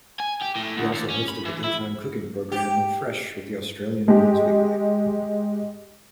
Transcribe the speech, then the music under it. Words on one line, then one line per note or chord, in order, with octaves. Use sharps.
He also hosted the daytime cooking programme "Fresh with the Australian Women's Weekly".
G#5
G4
A2
D2
D#2
C#4
B5
E3
E4
G4
G#3 G4